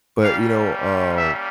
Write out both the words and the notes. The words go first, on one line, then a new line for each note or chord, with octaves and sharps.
but, you know, uh,
G3 A#3 C#4 F5
E5